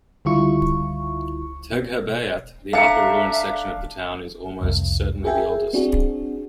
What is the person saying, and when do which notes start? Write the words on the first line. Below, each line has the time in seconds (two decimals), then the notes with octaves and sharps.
Tegherbeyat, the upper ruined section of the town, is almost certainly the oldest.
0.25 C#2 D3 G3 E4 F4 C#6
1.72 B2
2.73 D4 A4 E5 F5 A#5 C#7
4.61 C2 F2
5.24 F#4 G#4 A#4 E5 G5 G#5
5.73 C4 D4 F#4 G#4